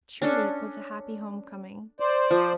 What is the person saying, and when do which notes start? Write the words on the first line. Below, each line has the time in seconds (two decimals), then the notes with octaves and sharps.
Truly it was a happy home coming.
0.22 C#4 D4 A4
2.00 C5 D5
2.31 F3